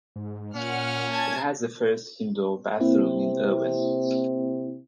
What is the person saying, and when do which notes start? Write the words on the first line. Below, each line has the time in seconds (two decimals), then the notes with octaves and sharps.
It has the first indoor bathroom in Erwin.
0.16 G#2
0.55 A#2 C#4 F#5 F6
1.09 G#5 A5 G#6
2.80 C3 A#3 C4 E4